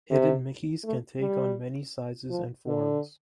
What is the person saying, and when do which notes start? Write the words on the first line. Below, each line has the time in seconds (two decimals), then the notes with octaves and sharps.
Hidden Mickeys can take on many sizes and forms.
0.10 C3
0.84 A3
1.20 G3
2.30 F3
2.66 D3